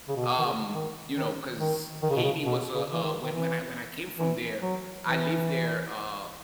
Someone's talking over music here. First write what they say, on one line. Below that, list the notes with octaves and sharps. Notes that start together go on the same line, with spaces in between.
um, you know, 'cause Haiti was a a when when I when I came from there, I lived there, uh,
C#3
B2
D#3
C#3
D#3
D#3
D#3
D#3
C#3
B2
C#3
B2
C#3
E3
D#3
D#3
E3
E3
F#3
E3